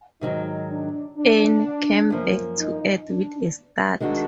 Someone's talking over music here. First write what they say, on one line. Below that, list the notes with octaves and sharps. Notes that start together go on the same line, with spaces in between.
Anne came back to earth with a start.
G#2 D#3 F#3 D#4
D4
D4
F#2 F3 A#3
D#4
D4
D#3 G#3 D4 F#4